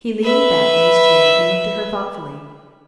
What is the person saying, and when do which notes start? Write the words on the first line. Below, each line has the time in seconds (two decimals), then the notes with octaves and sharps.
He leaned back in his chair and looked at her thoughtfully.
0.24 B4 E5